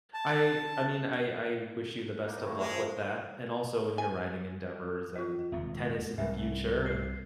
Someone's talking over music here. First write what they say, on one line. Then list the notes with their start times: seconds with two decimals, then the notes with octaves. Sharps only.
I I mean, I I wish you the best of luck with that and also in your writing endeavors, and tennis in the future, and,
0.14 A5
2.28 A2 A#3
2.41 D#3 E3 A3
2.58 F3 G#3
3.98 G#5
5.16 F4 D#5
5.52 D#1 F2 C3 G#3
6.18 C2 G#2 A#4 E5
6.86 C7